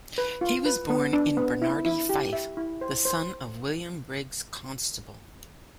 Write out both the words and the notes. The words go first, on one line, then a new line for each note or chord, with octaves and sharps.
He was born in Benarty, Fife, the son of William Briggs Constable.
B4
F4
B4
B3
D4
B3
E4
E4
G4
E5
E4
C5
C5